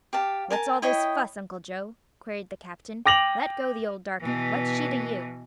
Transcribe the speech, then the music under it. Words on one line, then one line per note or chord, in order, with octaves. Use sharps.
"What's all this fuss, Uncle Joe?" queried the captain. "Let go the old darkie; what's she to you?"
G4 F5 A5
A#4 G#5 A5
E4 C#5 D#5 G5
G5 D6 A#6 F7 F#7
B2 E3